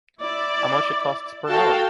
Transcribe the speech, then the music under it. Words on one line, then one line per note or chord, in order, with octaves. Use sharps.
How much it costs per hour?
E4 D5
F#4 A4 F5 G5 A5